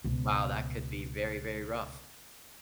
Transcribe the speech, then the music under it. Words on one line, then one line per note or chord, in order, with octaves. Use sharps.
wow, that could be very, very rough.
C#2 B2